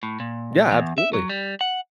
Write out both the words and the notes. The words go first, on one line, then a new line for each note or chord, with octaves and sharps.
Yeah, absolutely.
A2
A#2
E2
E5
F#3
G3
F#5